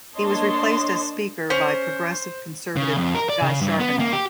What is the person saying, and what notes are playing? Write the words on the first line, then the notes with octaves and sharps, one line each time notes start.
He was replaced as Speaker by Progressive Conservative Guy Charbonneau.
A#3 D4 C#5 D#5 A5 C6
C#4 C5
C#3
F2
A#4
D5
C#3
G2
B3
A#3
G4